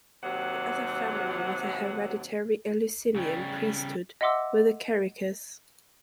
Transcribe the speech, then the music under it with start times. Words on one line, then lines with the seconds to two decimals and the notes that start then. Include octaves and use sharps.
The other family with a hereditary Eleusinian priesthood were the Kerykes.
0.23 D#2 C3 F#3 F#5
3.16 C#3 G3
4.21 D#5 E5 F#5 C6 D6 E6